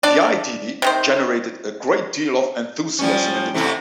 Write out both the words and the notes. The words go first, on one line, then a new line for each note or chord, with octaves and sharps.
The idea generated a great deal of enthusiasm in the town.
D4 D5
C3 D#3 C5
F3 G3 C#4
C3 A3 E4